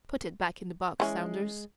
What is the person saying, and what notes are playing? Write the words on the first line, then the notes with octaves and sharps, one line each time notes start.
Put it back in the box, Saunders.
E3 G#3 C#4